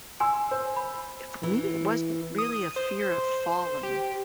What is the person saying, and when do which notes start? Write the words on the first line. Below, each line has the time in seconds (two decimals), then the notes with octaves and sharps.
Eh, for me, it wasn't really a fear of falling.
0.20 G#5 C6 E6
0.51 C5
0.76 B5
1.43 E3
2.38 D#6
2.76 C5
3.83 G4